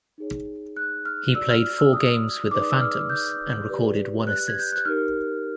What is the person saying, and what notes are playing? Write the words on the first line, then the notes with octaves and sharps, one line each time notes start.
He played four games with the Phantoms and recorded one assist.
D#4 G#4 C#5
F#6
F6
F#4 A4 D5 E6
F6
F6
E6
D#6
D#4 G#4 B4 D5 D6
D#6
E6
F6
G6
G4 B4 D5
F#6
G#6
G6
F#6
D#4 G4 A#4 F6